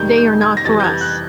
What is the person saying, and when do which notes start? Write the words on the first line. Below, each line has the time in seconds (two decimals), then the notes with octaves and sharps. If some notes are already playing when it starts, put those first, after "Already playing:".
They are not for us.
Already playing: F2 C3 D#3 G3 G6
0.18 G6
0.41 G#6
0.57 A#6
0.65 F2 C3 E3 G3 A6
0.80 G6
0.84 G#6
1.01 F#6